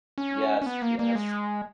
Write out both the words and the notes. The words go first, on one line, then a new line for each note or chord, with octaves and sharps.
Yes, yes.
C#4
C#4
B3
A#3
A#3
G#3